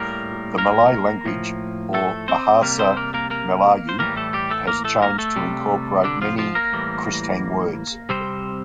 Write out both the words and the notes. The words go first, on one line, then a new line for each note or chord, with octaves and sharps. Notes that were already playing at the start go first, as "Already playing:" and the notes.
The Malay language, or "Bahasa Melayu", has changed to incorporate many Kristang words.
Already playing: A2 G3 A#3 A#4
A#3 A#4
A2 F3
A3 A4
C4 C5
C3 G3 A#3 A#4
C4 C5
A#3 A#4
A#3 A#4
A#3 A#4
C5
A2 E3 G3 A#3 A#4
A3 A4
G3 G4
A3 A4
A#3 A#4
A3 A4
A#3 A#4
A3 A4
C3 G3
D3 D4
F3 F4
F3 F4
A#3 A#4
A2 E3 G3
C3 G3 C4 C5